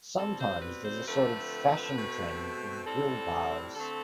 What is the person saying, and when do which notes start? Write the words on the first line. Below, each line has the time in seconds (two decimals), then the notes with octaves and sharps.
Sometimes there is a sort of fashion trend in grille bars.
0.17 B2 G3 C4 A4
0.40 C5
0.62 B4
0.85 C5
1.06 D3 F3 A3 C4 B4
1.96 B2 A3 C4
2.85 A2 G3 C4 A4
3.75 D3 A3 C4 A4